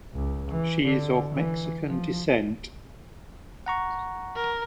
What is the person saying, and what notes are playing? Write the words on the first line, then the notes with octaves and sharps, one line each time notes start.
She is of Mexican descent.
C#2
E3
D3
E3
F3
F#5 A#5 C#6
A#4